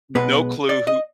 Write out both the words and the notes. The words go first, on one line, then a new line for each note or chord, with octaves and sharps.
No clue who
B1 B2 G#3 B3 B4
D5
D#5